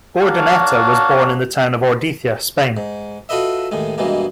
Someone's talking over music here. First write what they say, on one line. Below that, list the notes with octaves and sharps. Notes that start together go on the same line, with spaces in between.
Urdaneta was born in the town of Ordizia, Spain.
A#3 D4 F#4 C#5 F5 A5
G#2
F4 F#4 A4 B4 D#5 E5
D#2 A2 G#3
G2 B2 E3 G#3 A#3